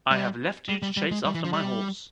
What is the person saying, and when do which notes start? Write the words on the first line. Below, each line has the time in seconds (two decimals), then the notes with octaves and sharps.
I have left you to chase after my horse.
0.11 G3
0.69 G3
0.82 G3
0.97 G3
1.11 G#3
1.25 G3
1.34 E3
1.44 F3
1.53 G3